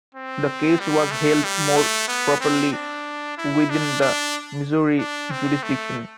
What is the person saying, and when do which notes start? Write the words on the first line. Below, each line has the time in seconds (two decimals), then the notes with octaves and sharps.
The case was held more properly within the Missouri jurisdiction.
0.15 C4
0.79 G3
1.11 A3
1.44 G3
1.76 A3
2.08 B3
2.41 C4
2.73 D4
3.38 E4
3.70 D4
4.02 D4
4.98 D4
5.31 C4
5.63 A3